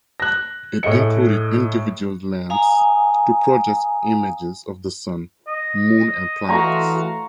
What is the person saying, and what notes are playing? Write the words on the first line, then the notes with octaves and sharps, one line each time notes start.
It included individual lamps to project images of the Sun, Moon and planets.
F#6 A#6
A2 G#4 D#5 C#7
F5 G#5 A#5 D#6
D#5
E3 A3 F#4 F5 A#5 C6 C#6